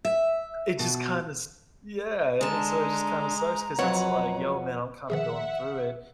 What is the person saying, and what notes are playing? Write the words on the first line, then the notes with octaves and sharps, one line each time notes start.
it just kinda s yeah, and so it just kinda sucks 'cause it's like, "Yo, man, I'm kinda going through it,"
E5
B2
D3 G#3 A5 A#5
F2 F#3 B4 C#5 F#5
D#3 F3 G#4 E5 F#5